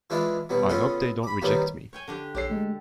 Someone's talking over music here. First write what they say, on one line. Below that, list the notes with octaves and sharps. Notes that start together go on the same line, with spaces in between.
I hope they don’t reject me.
E3 G#3 D4 E4 F4
C2 B2 F#3 B3
B3 C#4 F4 G#4 A4
B5 D6
D#3 F#3 G3 A#3 B3
C#5 G5 G#5
D3 D4 G4
A#1 G4 A4 C#5 C7
G#3 A3